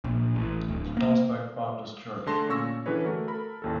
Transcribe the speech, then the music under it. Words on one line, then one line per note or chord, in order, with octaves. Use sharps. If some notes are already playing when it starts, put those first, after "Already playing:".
Prospect Baptist Church.
A#1
A1
D1
A#3
D3 A3 G#4 A5 C6 A#6
A#2 C#4 C#6 E6 A#6
D3 E3 C#4 G#4 B4 C#5
A3 F#4 A#4
A4 A#4 B5
A1 D#2 A4